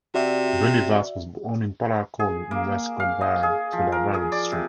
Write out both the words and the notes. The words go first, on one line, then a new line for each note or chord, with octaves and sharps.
Bunny Vas was born in Palakollu in West Godavari district.
C3 F#4 D5 E5
G#4
A#3
F5
D#5
G#4
F3
A#4
G#4
D5
C3